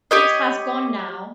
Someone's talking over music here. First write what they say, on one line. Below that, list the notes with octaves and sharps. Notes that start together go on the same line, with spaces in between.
It has gone now.
G4 C#5 D#5